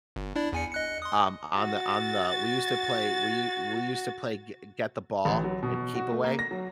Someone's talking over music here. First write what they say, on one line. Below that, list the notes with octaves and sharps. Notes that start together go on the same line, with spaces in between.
um, on the on the we used to play we u we used to play g get the ball and keep away,
G1
D4 E4 D5
E2 G#5 C#7
D#5 F#6 C#7
C6 D#6
F#4 A6
A1
F#3
B2
F#4
A3
A#3
A#6
F#3